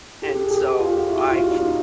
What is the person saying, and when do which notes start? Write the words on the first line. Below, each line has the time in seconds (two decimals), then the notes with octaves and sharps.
And so, I've
0.22 G4 A4
0.43 G#4
0.51 G4 A4
0.79 F4 G4
1.08 E4 F#4
1.29 F4 G4
1.51 D#4 F4